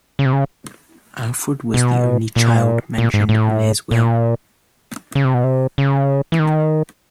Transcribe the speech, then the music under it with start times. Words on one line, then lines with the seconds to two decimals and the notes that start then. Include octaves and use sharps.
Alfred was the only child mentioned in his will.
0.19 C#3
0.26 C3
0.33 C#3
1.74 B2
2.36 A#2
2.98 A#2
3.14 G#2
3.29 A2
3.91 A#2
5.15 C#3
5.25 C3
5.34 B2
5.44 C3
5.78 C#3
6.32 E3
6.39 D#3